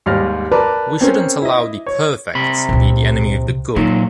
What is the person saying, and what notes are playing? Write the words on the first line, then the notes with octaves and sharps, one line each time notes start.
We shouldn’t allow the "perfect" be the enemy of the "good."
D#2 G#2 G3 F6 A6 A#6
A#4 B4 D5 A5 A#5 D6
C4 C#4 A#4 C5
E4 D#5
C#5
C3 B5
C#2 A#2
A#2 F#3 D#4